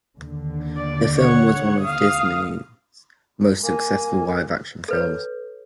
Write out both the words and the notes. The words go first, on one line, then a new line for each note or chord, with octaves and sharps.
The film was one of Disney's most successful live-action films.
D#2 D3
D5
C#5 F#5
F5 D#6
A#3 G#5
A4 B4 C#5